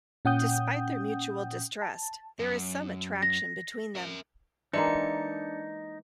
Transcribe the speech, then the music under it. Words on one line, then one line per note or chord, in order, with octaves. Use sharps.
Despite their mutual distrust, there is some attraction between them.
A#2 C#4 F#5 G5 D#6 G6
A5
F#2
A#6
A#4 E5
E3 G#3 A#3 D4 D#4 D5 C#7